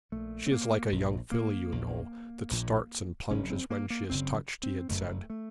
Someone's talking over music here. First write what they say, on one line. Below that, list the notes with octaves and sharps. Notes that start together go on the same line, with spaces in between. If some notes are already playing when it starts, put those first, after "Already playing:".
'She is like a young filly, you know, that starts and plunges when she is touched,' he had said.
A#1 A#2 A3
C4
A#3
A#1 A#2
A#3
A#1 A#2
A#1 A#2
F#1 F#2 C#3 C#4
C4
A#3
A#3
F#1 F#2 C#3 C4
C4
F#1 F#2 C#3 A3
A3